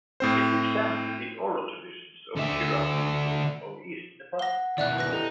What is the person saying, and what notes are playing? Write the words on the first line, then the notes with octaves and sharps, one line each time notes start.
It examined the oral traditions of Kirati people of east Nepal.
A2 C4 C5
D3 E5
F#5 A#6 G7
B2 D#3 E3 D5 E5 F#6
B4 F#6 A#6
D#4 E4 G4 A4